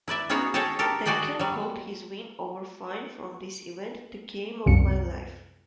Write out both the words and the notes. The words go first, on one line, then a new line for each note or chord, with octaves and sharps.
Denker called his win over Fine from this event 'the game of my life'.
E4 B4 D5 E5
B3 C#4 D#4 F#4 G#4 C#5
G#4 A4 C#5 D#5 G5 A5
G4 A4 A#4
F#4 G#4 D5 D#5 G5
F#3 G3
C2 F#2 C#7